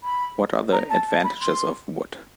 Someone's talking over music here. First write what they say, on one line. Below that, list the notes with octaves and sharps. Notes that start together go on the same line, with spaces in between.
What are the advantages of wood?
B5
A#5
A5
A5
B5
C6